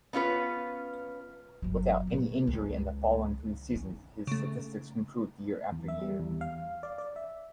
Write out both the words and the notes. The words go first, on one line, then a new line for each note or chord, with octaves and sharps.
Without any injury in the following three seasons, his statistics improved year after year.
B3 C#4 F4 B4
G1 F#3
A#2 D3
C#2
C#4 E4
C#3 A3
E2
E5
G3
E2
F5
D5
D5
E5